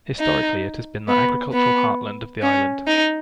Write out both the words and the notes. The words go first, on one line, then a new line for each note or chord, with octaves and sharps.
Historically, it has been the agricultural heartland of the island.
D#4
B3
B3
C#4
D#4